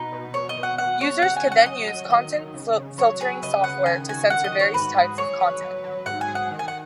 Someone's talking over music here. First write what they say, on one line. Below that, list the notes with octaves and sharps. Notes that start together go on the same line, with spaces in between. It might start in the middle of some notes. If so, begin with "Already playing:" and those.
Users could then use content filtering software to censor various types of content.
Already playing: B2 D#4 B4
B2
B2 C#5
D#5
B2
F#5
B2 F#5
F#4 C#5
C#3 F#5
G#5
F#4
F#5
F#3 D#5
F#3 D#5
D#3 D#5
D#3
C#3
C#3
F#3 C#5
G#4 B4
C#3 D#5
C#3 F#5
D#3 G#5
F#4 G#5
D#3 F#5
D#5
F#4
C#5
G#2 B4
G#4
F#3 C#5
B4
F#3
F#3
G#2 F#5
G#5
G#4
F#5
D#3
G#5
F#5